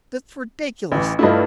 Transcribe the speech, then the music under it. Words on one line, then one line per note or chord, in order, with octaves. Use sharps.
That's ridiculous.
A1 E3
G2 A3 E4 F4 D#5